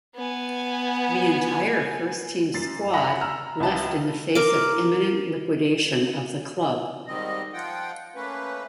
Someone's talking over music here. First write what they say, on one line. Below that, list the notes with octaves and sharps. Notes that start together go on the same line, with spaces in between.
The entire first-team squad left in the face of imminent liquidation of the club.
B3 G#5
F#2 A6 C7
E5 F#5 B5 A#6
A#5 E6 F6
C#2 B4 E5 A5 A#5
A#4 D6
G#2 D#3 G3 C4 D#5
F3 F4 F#5 G5
A3 A#3 C#4 B4